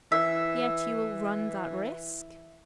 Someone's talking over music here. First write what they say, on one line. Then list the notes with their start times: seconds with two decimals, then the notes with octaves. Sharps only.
"Yet you will run that risk?"
0.12 E3 E5